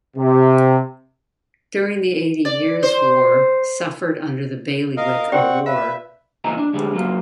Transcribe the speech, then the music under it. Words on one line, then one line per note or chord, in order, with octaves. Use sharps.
During the Eighty Years' War suffered under the bailiwick of war.
C3
D5
C5
A#4 D#5 F5
C4 G4 D5 F#5 G5 C#6
B4 E5 F5
E2 A#2 E4 D#5 G#5 A#5
D4
D2 A2 G3 G#3
F#3 A#3 F4